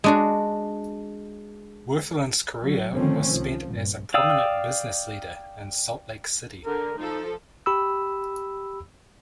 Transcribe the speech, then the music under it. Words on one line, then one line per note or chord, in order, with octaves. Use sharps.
Wirthlin's career was spent as a prominent business leader in Salt Lake City.
G#3 D4 F#4
F#3
D3 D#3 F3 A3 C4 C#4
C2 F3
A#1 G2
D5 F5 G5 D#6 E6
D3 A#4
F3 D#4 A4
G4 B5 E6